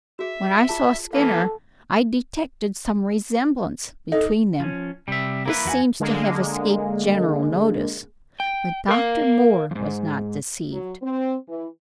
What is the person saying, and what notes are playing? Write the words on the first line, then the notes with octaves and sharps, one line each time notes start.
When I saw Skinner, I detected some resemblance between them--this seems to have escaped general notice, but Dr. Moore was not deceived.
F#4 G#4 E5
F4 G#4 A5
E3 A#3 B3 A4 F5
D#4 A4
F3 C#4
C3 G3 E5
A#3 E4 B4
E2 F#4 G#5
D3 G#3 A#3
G5
A#4 F5
F2 G#2
F#3
C4
E3